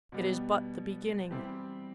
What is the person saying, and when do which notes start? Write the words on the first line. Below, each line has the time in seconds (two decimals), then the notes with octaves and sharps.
It is but the beginning!
0.12 B2 G3 B3
1.31 E3 G3 C4 E4 G4